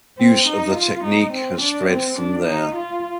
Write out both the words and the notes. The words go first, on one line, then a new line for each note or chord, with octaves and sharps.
Use of the technique has spread from there.
C4
D#4
F4
D#4
C4
D4
C4
D4
D#4
F4